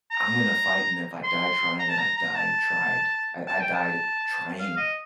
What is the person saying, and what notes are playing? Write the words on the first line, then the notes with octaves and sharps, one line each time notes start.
"I'm gonna fight, and if I die trying, then I die tried I I died trying."
A#5
C6
A#5
A5
A#5
A#5
A5
A5
G5
A5
F5
D#5